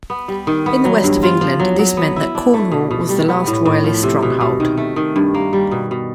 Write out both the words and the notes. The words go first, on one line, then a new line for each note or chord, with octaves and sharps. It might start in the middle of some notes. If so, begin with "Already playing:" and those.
In the West of England this meant that Cornwall was the last Royalist stronghold.
B3
G3
D#3
B3
F#3
G2
F4
F3
F#3
F#3
B3
E4
D4
A3
B2
B2
G3
B3
A2
A2
F3
C3
B2
B2
D#3
A3
D#3
G2
A#3
G3
B2
B2